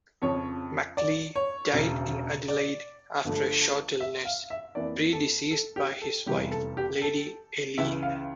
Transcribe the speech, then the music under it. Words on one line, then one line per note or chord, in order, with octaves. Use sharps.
McLeay died in Adelaide after a short illness, predeceased by his wife, Lady Eileen.
F2 C#3 F3 C#5
D5
C#5
E1 D2 C#3
D5
G1 G2 D3 F3 A3
E5
F5
E5
F2 E3 A#3 D5
A4
A4
G4
A4
F1 E2 E3 G3 G4
A4
G4
A4
C#2 C#3 E3 E5
F5